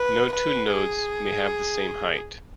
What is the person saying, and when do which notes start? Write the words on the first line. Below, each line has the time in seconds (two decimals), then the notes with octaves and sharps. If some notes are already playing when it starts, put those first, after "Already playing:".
No two nodes may have the same height.
Already playing: B4
0.32 B4
0.72 G#4